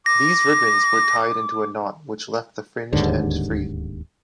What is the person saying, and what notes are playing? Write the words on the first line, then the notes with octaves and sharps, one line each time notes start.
These ribbons were tied into a knot which left the fringed end free.
D6 A#6
D1 D#2 G#2 D3